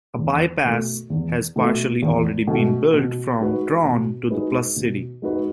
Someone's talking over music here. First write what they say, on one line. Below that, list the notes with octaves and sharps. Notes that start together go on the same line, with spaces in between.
A by-pass has partially already been built from Traun to the "Plus City".
E2
B2 A3
E2
B2 A3
E2
B2 A3
B2
G#3 D#4 F#4 B4
B2
G#3 D#4 F#4 B4
B2
G#3 D#4 F#4 B4